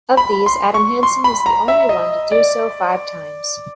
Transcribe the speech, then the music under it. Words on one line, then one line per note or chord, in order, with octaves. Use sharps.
Of these, Adam Hansen is the only one to do so five times.
B5
C6
C#6
C6
B5
A#5
E5
D#5
D5